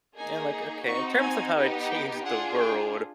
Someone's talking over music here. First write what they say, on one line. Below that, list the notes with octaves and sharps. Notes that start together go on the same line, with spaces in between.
And like, okay, in terms of how it changed the world,
A#3 D#4 G#4 G#5
C4 D#4 F#4 C#6
G#5
B3 D#4 G4
G5
D4 F4 G#4 F#5
G5